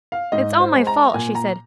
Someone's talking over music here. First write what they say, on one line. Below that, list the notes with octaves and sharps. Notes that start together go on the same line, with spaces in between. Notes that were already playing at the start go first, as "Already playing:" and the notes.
'It's all my fault,' she said.
F5
G#2 D#5
C5
G#3
A#5
A#2 G#5
A#5